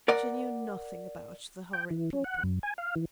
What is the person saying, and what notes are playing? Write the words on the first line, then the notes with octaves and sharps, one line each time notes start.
She knew nothing about the horrid people.
A#4 D5 F#5
G5
E3
C#4
F#5
F#2
G#5
F5
E3